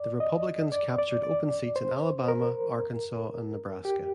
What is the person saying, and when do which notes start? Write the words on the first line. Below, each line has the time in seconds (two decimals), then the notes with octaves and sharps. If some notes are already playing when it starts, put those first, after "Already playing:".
The Republicans captured open seats in Alabama, Arkansas, and Nebraska.
Already playing: D5
0.20 D#5
0.72 D5
0.99 D5
1.23 D5
1.76 C5
2.28 A#4
3.85 G4